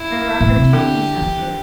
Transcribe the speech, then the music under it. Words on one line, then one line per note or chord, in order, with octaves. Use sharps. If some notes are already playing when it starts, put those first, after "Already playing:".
There are opportunities out there.
Already playing: E4
A2
C3
D3 G4
E3
D3